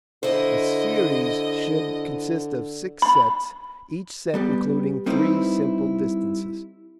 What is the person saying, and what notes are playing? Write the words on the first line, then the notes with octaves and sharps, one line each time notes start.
A series should consist of six sets, each set including three simple distances.
D3 E4 C5 D#5
B5
G3 B3 G4
G3 C4 D#4 E4 B4